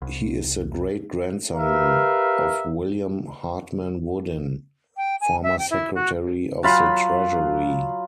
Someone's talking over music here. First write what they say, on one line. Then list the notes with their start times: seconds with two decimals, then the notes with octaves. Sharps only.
He is the great-grandson of William Hartman Woodin, former Secretary of the Treasury.
0.02 C2
1.56 G4 A#4 B4 E5 F5
4.97 G5
5.21 G#5
5.43 E5
5.59 G5
5.71 E4
5.95 F#4
6.63 F#3 F4 B5